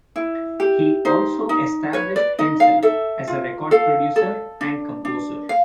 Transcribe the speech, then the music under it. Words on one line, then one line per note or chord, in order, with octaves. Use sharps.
He also established himself as a record producer and composer.
E4
G4
D#4 C5
D#4
B4 C#5
D5
D#4 D#5
F5
A4 E5
F4
A4 F5
A4
D4
D4
F5